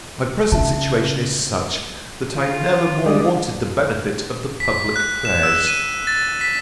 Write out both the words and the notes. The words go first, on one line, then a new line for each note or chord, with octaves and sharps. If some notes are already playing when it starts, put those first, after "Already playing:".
My present situation is such, that I never more wanted the benefit of the public prayers.
C#3 E5 A5
F4
G3 G#3 D4 D5 D#6
B6
F#6
E7
E6
D#7
A6
B6